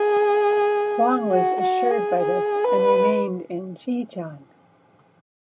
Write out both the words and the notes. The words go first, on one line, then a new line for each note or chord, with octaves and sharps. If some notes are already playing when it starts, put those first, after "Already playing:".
Huang was assured by this and remained in Jicheng.
Already playing: G#4
F#4
F#4
G#4
G#4
B4